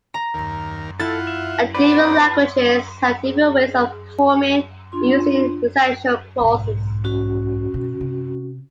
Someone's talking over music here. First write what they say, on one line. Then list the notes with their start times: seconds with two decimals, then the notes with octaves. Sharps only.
Different languages have different ways of forming and using existential clauses.
0.14 A#5
0.34 D#2 A#4
1.00 E4 F4 A4 F#5 A6
1.27 E5
1.74 C4 D4 B4 D5 F#5
3.25 G#4
4.92 D4 F4 C6
6.40 B1 G#2
7.04 C#4 F#4
7.74 B2
8.01 C3